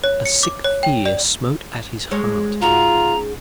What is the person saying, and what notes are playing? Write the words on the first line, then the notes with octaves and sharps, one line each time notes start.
A sick fear smote at his heart.
C#5
C#7
D6
C#5
G5
D5
G#3 C#5
G#2 C#3 F4 F#4 A#5